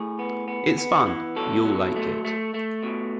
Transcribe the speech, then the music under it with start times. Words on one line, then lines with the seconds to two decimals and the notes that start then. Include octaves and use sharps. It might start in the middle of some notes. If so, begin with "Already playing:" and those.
It's fun; you'll like it.
Already playing: A2 G#4
0.19 B3
0.48 B3
0.78 B3
1.06 E3
1.36 B2 A4
1.65 F#3
1.96 A3
2.25 A3
2.54 A3
2.83 B2